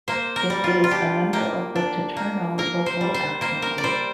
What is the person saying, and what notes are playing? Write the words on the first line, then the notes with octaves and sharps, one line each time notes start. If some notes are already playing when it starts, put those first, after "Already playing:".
It is a member of the Titerno Local Action Group.
A#3 C5
A#4
G3
F4
F4
D4 G4
A#3 G4
D4
A#3
A#3 A#4
C5
G3
C5
A#3 C5
A#4
D5
G3 C5